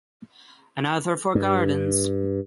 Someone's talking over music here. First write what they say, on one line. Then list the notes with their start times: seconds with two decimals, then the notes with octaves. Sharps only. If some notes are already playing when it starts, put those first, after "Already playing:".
Another for gardens.
1.35 G2